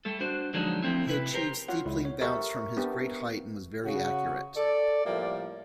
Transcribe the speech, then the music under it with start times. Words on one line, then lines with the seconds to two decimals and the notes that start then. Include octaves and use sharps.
He achieved steepling bounce from his great height and was very accurate.
0.05 G3 A3 A4
0.21 D4 F#4 C5
0.53 D3 F3 F#3 G#3 D4 D#4
0.82 F3 A3 C4 E4
1.06 C3 E4 B4
1.34 G4 A#4 C5
1.68 F4 C#5 F#5
1.86 C#2 E4
2.05 C#5
2.21 G4 A4 A#4 C5 E5 C#6
2.77 B3 D4 G4
3.85 C#3 F#4
4.57 A4 D5
5.05 A2 F3 G3 A#3 D5 E5